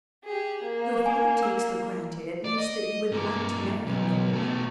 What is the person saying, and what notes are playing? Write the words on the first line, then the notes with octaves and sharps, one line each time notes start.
"Your father takes for granted at least that you would like to marry a nobleman."
G4 G#4
A#3
G#5
E6
D5
D#5
G2 A#3
B1
B2 A3